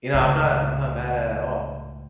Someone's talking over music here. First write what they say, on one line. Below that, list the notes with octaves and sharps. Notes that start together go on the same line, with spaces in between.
you know, I'm not I'm not mad at at all,
C#2 A2